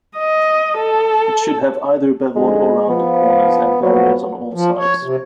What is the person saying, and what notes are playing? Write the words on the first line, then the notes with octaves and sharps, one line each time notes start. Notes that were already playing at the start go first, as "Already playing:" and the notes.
It should have either beveled or rounded corners, and barriers on all sides.
D#5
A4
F2 G#2 D3 G#3
F3 B3
F3 F#3 B3
F3
C#5
C3